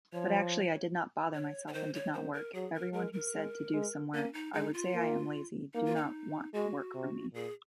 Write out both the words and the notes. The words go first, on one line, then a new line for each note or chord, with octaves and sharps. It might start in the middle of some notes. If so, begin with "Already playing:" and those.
But actually I did not bother myself and did not work, everyone who said to do some work, I would say I am lazy, do not want work from me.
F3 C#5
C#5
C#5
D#3 C5
C#5
D#3 C5
A#4
F#3 G#4
A#4
G#3 A#4
A#4
G#3
G#3
A#3 C#4
D#4
G#3 D#4
F4
A#3
A#3 D#4
F4
D#4
G#3 F#4
C3
A#2 G#4